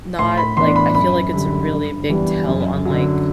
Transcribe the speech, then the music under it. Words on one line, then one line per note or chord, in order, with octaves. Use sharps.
not like I feel like it's a really big tell on, like,
A2 C6
B5
E3 B3 D4 C6
B5
F#2 B5
D3 G3
G2
E3 G3 B3 D4
F#2
D3 F#3